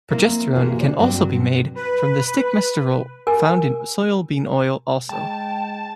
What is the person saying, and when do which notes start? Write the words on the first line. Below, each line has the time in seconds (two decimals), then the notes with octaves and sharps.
Progesterone can also be made from the stigmasterol found in soybean oil also.
0.10 A#3 C4 E4 A#4
0.55 C3 E3 A#3 C#4 F#4 G#4
0.80 D3 C5 D5
0.99 G2 F#3 C4 G5
1.76 B4
3.27 A#4 G#5
5.09 G#3 G5 A5